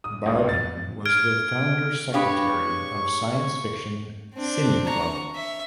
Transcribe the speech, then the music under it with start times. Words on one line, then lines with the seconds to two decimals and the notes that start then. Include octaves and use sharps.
Bardhan was the founder secretary of Science fiction cine club.
0.04 D#6
0.26 C#2
0.49 A6
1.06 F6 G#6 D7
2.14 G#3 D4 G4 B4 C#5 F5 C#6
4.35 C4 D4
4.86 A#5 C#6
5.35 E5